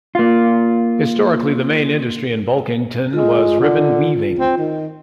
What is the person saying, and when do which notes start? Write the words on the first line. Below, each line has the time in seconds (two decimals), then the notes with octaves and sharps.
Historically the main industry in Bulkington was ribbon weaving.
0.15 A#3 F4
3.13 G#3 F4
3.60 D3
4.39 C4
4.57 D#3